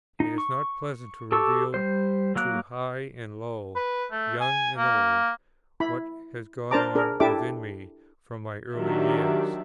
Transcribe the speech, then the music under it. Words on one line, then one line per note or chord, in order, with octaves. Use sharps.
It is not pleasant to reveal to high and low, young and old, what has gone on within me from my early years.
D#4
C#6
G4 A4 A5 C#6 E6
G3 C5
F#3 A#3 A#4 F#6
B4
A3
G#5
A#3
E4 B5
D4 A#4 C5 A5 A#5 D6
D4 G#4 A#4
D4 E4 G4 A4 E5 D6
D#3 F#3 D4 G4 E5